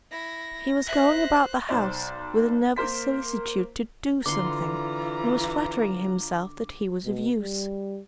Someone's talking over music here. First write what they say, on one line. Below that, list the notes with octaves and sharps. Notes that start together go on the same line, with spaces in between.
He was going about the house, with a nervous solicitude to do something, and was flattering himself that he was of use.
E4 A#6
C5 E5 F#6
B1 C5 D5
A#3 A#4 C5 B6
D3 E3 F4 F#5 A#5 C6 D6
B2
G3